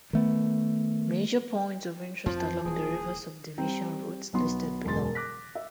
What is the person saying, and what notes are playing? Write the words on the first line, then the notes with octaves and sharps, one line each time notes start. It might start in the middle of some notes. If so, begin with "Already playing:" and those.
Major points of interest along the River Subdivision route listed below.
D#3 A3 B3
F2 F3 C4
D#1 E3 G#4
G3 C4 G5 A#5
B1 F#3 B3 C6
E1 F#2 G#3 C6 A6
D6 F#6 A#6 B6
E5